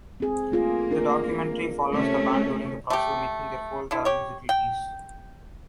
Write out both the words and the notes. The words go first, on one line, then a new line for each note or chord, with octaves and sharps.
The documentary follows the band during the process of making their fourth album "Zitilites".
C4 G#4
A3 A#3 F4 G#4
D4 F4 A#4
C3 A3 C#4
A3 G4
D3 E4
G4 C#5
G5